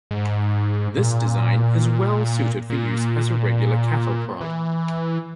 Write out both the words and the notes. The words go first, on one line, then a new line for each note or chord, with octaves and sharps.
This design is well-suited for use as a regular cattle prod.
G#2
A#2
A#2
E3